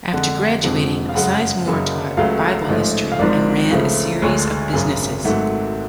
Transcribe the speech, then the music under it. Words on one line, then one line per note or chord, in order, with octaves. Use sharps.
After graduating, Sizemore taught bible history and ran a series of businesses.
F2 D3 G#3 F#5
F1 F2 F3 G#3
F5
F#2 C#3 G#3 F#5
F#1 F#2 C#3
C#2 C#3 F#3 A3 F5
A1 G#2 F3 A3
F5
G#1 G#2 F3 D5
C#2 C#3 F3 A3
D2 D3 G#3 C#5
G#1 F#2 C#3 G#5
G#1 G#2 F#3 A3 F#5